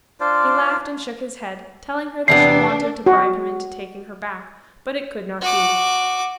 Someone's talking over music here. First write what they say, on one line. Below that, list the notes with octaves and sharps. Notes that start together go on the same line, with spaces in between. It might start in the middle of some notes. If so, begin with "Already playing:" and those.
He laughed and shook his head, telling her that she wanted to bribe him into taking her back, but it could not be.
D4 F4 C5 D5
E2 C3 B3 D4 C7
F#4
F#4 D6